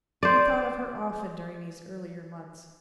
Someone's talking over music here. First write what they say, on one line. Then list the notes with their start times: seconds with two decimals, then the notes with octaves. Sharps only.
He thought of her often during these earlier months.
0.23 C5 D5